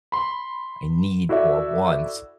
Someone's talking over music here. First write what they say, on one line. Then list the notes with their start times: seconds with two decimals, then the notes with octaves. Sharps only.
I need or want,
0.12 B5 C6
1.29 E4 F#4 A4 D5 E5